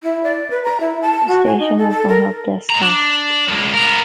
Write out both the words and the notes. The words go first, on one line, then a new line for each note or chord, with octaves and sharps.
The station has no help desk staff.
E4
D5
B4
A#5
E4
A5
F#4
G#5
D#4
A4
A4
A#4
G#3 A#5
D4
C#2 F#2
B3 A#4